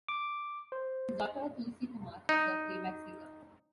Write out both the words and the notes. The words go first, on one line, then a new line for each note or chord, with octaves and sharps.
His daughter Tulsi Kumar is a playback singer.
D6
C5
D#4